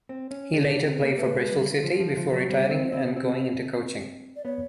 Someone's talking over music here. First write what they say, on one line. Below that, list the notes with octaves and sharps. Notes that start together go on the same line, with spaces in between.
He later played for Bristol City before retiring and going into coaching.
C4
C#4
D4 G#4
D4
C4
A#3
A3 B4
G#3
G3
F3
F3
F3
F#3
G3 C5
C4
C4
B3
C4
D5
B3 C#5